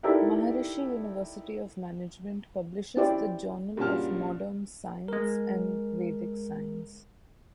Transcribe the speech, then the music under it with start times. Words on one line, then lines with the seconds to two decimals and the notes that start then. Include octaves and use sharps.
Maharishi University of Management publishes the "Journal of Modern Science and Vedic Science".
0.03 D#4 E4 G4 A4 A#4 D5
2.97 C#4 E4 G4 C5 D5
3.77 G2 A#2 C#3 F#4 A5 F6
5.08 G#3 A#4